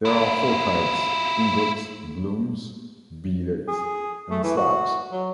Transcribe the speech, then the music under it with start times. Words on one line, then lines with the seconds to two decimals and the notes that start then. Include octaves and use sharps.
There are four types: "ingots", "blooms", "billets", and "slabs".
0.05 E4 F4
3.68 G#4
4.31 A3
4.43 E3
4.57 F#4
5.12 F#3